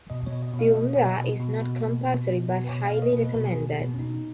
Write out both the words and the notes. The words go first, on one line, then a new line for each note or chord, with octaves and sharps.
The Umrah is not compulsory but highly recommended.
B2 D#5
C#5
B2
D#5
B2
F5
B2 D#5
B2
B2
B2
B2
B2
B2
B2
B2
B4
B2 C#5
F5
B2
D#5
B2
B4
B2 A#4
G#4
B2
A#3
B2
B3
C#4
B2 D#4